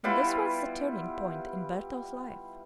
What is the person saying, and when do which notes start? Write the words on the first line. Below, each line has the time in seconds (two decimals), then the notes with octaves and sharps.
And this was the turning-point in Bertel's life.
0.04 G3 B3 E4 F4